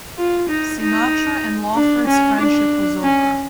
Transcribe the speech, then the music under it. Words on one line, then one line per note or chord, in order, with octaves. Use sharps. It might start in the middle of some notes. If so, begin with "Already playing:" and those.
Sinatra and Lawford's friendship was over.
F4
D#4
D#4
D4
C#4
D4
C#4